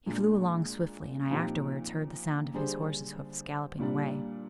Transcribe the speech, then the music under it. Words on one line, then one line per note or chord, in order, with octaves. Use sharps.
He flew along swiftly, and I afterwards heard the sound of his horse's hoofs galloping away.
A#2 G#3 D4
A#2 F3 C4 D#4 G4
D3 G3 D4 G#4 C5
A#2 G3 D4